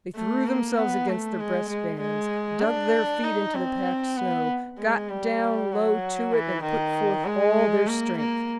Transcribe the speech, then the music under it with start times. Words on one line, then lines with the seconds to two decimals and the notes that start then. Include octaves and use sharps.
They threw themselves against the breast-bands, dug their feet into the packed snow, got down low to it, and put forth all their strength.
0.15 A3
0.46 A#3
0.77 B3
1.08 A3
1.39 G#3
1.69 G#3
2.00 G#3
2.61 D4
3.24 D#4
3.55 C4
4.17 B3
4.79 G#3
5.09 G3
5.71 F#3
6.33 E3
6.63 D#3
7.25 G#3
7.87 A#3
8.17 A#3